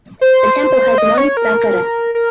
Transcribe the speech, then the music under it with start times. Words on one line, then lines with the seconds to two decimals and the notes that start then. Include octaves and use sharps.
The temple has one prakara.
0.21 C5
0.98 D#5
1.18 C#5
1.37 A#4
2.15 A#4